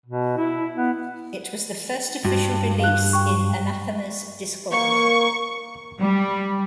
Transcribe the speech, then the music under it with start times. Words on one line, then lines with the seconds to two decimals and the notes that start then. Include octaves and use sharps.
It was the first official release in Anathema's discography.
0.06 B2
0.37 E4
0.76 B3
2.25 G2 F#4
2.80 F5 F#6
3.13 G5 C#6
4.72 A#3 C#6
5.99 G3